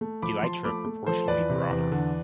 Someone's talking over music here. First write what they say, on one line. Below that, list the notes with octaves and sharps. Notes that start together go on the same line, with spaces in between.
Elytra proportionately broader.
A3
F3 B5 D6
F3 A5 C6
A3 B5 D6
A3
F3 A4 C5
E2 B4 D5
C3
E2
D3